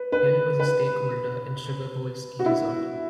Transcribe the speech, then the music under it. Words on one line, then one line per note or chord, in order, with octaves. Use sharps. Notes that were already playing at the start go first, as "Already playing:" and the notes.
Hill was a stakeholder in Sugar Bowl Ski Resort.
Already playing: B4
B4
B4
F#4
E4